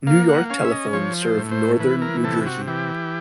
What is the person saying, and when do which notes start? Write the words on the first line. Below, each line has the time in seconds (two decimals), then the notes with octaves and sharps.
New York Telephone served northern New Jersey.
0.07 A#3 F5
0.29 F#5
0.50 C#4 F5
0.65 E5
0.72 D#5
0.93 F3 C#5
1.22 C5
1.38 A2
1.51 C5
1.80 E3 B4
2.02 A#4
2.23 C3 A4
2.46 F#4
2.68 E3 G4